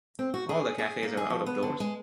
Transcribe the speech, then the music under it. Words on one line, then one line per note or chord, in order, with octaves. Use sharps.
All the cafes are out of doors.
C4
F#4
G#4
G#4
A#3
G#4
F3
B3
D3
G#3